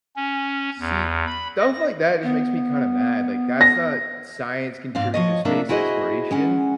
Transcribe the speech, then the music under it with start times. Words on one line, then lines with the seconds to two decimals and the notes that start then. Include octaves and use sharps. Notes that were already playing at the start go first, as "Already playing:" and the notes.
See, stuff like that just makes me kinda mad, like, that's not science contributing to space exploration,
0.16 C#4
0.80 E2
1.26 B5
1.60 A#6
2.23 B3
3.61 A#6
4.95 G#2 C4 D5 F5
5.14 F3 C#5 D#5
5.45 C3 A#3 D4 E5
5.69 E4 F#4 G#4 C5 D#5
6.31 G#3 C#4 F#5